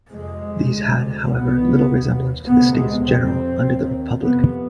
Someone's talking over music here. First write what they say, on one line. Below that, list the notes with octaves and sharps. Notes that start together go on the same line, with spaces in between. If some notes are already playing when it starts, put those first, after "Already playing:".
These had, however, little resemblance to the States General under the Republic.
F2 C3 G#3
D2 C3
C2 B2 B3
D#2
D2 C3 B3
G#3
F2 C3 C4
D#2
F2 C3 B3